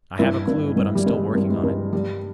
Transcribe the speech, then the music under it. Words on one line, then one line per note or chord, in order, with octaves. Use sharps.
I have a clue, but I'm still working on it.
G2 E4
G2
G2
G3
G2 G#3
G2
G#3
G2
G3